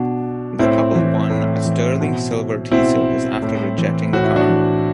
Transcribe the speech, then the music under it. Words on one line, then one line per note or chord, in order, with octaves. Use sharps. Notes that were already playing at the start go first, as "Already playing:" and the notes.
The couple won a sterling silver tea service, after rejecting the car.
Already playing: B2 D4
A2 C4 E4
E3
A2
E3
B2
B2 C4 E4
A2
E3
A2 F#4
E4
D4 F#4
E3